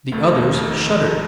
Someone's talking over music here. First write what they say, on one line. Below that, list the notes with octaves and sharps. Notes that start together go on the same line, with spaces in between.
The others shuddered.
F1 A3
D#2 D#3
F1
D#3